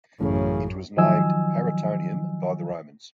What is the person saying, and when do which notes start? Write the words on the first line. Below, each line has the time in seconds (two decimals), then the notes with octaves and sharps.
It was named Paraetonium by the Romans.
0.20 A1 F#2 A2 C#3
0.97 D#3 F3 F#3 D#5 G#5 E6